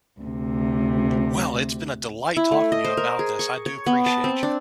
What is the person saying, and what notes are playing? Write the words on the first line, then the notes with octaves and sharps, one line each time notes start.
Well, it's been a delight talking to you about this, I do appreciate you.
D2 C3
E4
A3
D#5
C5
A#4
G#4
C#6
C#5
B3
A5
C4
D4